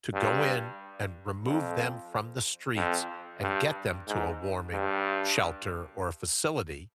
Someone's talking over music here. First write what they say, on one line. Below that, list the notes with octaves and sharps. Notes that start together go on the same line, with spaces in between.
to go in and remove them from the streets and get them to a warming shelter or a facility"?
G2
F2
F2
G2
G#2
G2